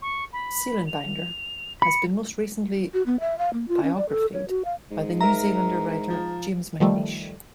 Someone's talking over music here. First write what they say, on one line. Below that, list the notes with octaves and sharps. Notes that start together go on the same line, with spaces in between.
Seelenbinder has been most recently biographied by the New Zealand writer James McNeish.
C#6
B5
F7
B5 C#7
F#4
B3
E5
F5
A#3
F4
C#4
D5
A4
C#5
F#4
F5
G#2
A#4 E5 A#5
F3
D#3 F3 G3 A3